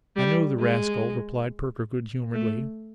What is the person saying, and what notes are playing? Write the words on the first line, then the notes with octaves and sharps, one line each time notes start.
'I know the rascal,' replied Perker good-humouredly.
G3
G#3
A3